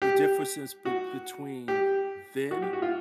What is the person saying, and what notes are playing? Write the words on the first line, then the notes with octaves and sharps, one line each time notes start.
the differences be between then,
G4
F#4
G4
F#4
G4
F#4
F4